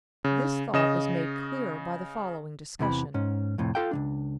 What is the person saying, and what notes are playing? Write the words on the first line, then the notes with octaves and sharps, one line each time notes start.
This thought is made clearer by the following discussion.
C#3
C#3 D#5 E7
E2 C3 E3 B5
G#2 C#4
F2 A2 C3
F4 A4 F5 G5
C#2 E3 D4